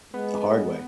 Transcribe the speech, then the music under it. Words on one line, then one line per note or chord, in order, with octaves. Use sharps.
The hard way
G#3 B3